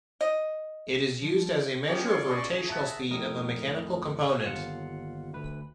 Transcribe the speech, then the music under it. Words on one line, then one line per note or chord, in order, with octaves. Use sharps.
It is used as a measure of rotational speed of a mechanical component.
D#5
F3
F#3 B3 C#4 G4 G#4 C#5
D5 C6 C#6
G#4 D#5
E5 F#5 A5 A#5
F2 A2 A#4 D#6
G1 D#2 F4 F#5 C#7
D2 B4